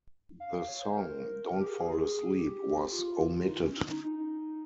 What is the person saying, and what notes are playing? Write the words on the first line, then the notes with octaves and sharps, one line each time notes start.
The song "Don't Fall Asleep" was omitted.
F5
C#5
C5
A#4
A#4
G4
G#4
G#4
G4
F4
F4
D#4
C#4
D#4
D#4
D#4